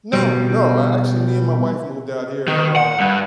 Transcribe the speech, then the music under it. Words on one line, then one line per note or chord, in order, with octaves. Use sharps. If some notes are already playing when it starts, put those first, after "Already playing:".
No, no, actually, me and my wife moved out here, um
B2 G3
D#3
F#5
G2